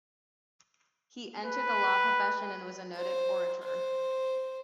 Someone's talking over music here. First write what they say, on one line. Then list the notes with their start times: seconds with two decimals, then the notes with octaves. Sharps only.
He entered the law profession, and was a noted orator.
1.44 B4
2.96 C5
3.64 C5